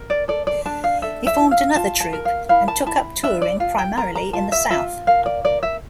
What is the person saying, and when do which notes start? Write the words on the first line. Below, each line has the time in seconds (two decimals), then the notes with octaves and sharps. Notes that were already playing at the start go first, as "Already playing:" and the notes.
He formed another troupe and took up touring primarily in the South.
Already playing: A#4
0.10 D5
0.28 A4 D5
0.47 D5
0.66 D4 A5
0.84 F5
1.02 A4 E5
1.27 E5
1.39 E4
1.51 F5
1.76 F4 A5
2.00 A5
2.13 A#4
2.25 F5
2.49 E4 F5
2.68 A5
2.86 E4 A5
3.23 D4 E5
3.42 D5
3.60 F4 F5
3.78 G5
3.97 A#4 A#5
4.15 A#5
4.33 F4 A5
4.52 E5
4.70 F4 E5
5.07 A#4 F5
5.26 D5
5.44 A#4 D5
5.63 E5